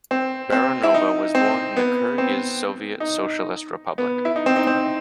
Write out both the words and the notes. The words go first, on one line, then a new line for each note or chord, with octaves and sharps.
Baranova was born in the Kirghiz Soviet Socialist Republic.
C4
C4
E4
D#4
C4
B3
C4
D#4
B3
E4
D#4
C4
D#4
C4